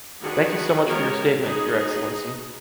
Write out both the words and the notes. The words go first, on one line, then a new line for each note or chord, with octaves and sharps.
Thank you so much for your statement, Your Excellency.
D#3 D4 F#4 G#4 B4 F#5
G#3 B3 F#4 G4 A#4 C#5
D#4 F#4 G#4 B4 D#5